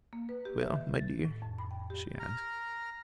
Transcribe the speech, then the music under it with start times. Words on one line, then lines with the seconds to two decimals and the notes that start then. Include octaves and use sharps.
"Well, my dear?" she asked.
0.13 A#3
0.29 B4
0.45 G4
0.62 E5
0.76 D#3
0.99 A6
1.25 A2
1.42 F2
1.58 B5
1.71 G5
1.90 G4
2.20 A#5 F6